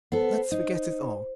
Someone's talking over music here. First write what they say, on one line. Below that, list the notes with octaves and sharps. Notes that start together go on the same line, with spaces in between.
Let's forget it all.
B3 A4 C5
D#4